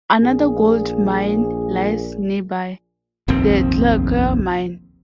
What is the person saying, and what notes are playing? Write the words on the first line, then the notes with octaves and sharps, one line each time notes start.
Another gold mine lies nearby, the Clogau mine.
A#1 A#2 G#4
F1 A#1 D#2 C4